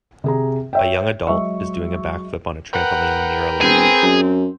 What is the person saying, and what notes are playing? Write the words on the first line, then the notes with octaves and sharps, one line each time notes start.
A young adult is doing a back flip on a trampoline near a lake.
C3 G#4 A#5
C#5 E5 G5
F#3 G#3 D#5 E5 C#6
A#4 B4 F#5 G5
E1 C4 G#4
F#2